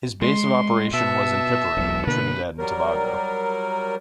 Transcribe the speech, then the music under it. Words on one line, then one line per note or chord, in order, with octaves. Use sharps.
His base of operation was in Piparo, Trinidad and Tobago.
G#3 C6
B2 E5 A5
E1 B1
B2 D3 A#3 B4
F#3 G3 A#4